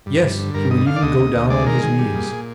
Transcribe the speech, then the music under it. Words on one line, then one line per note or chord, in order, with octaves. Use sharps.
"Yes, he would even go down on his knees."
G2
G2
D3
G2 A#4
D3 D#5
D3 F5
D5
D2 D#5
D2
D2
G#3 D5
D#3 A#4
D#3 G#4
G3
A#2
A#2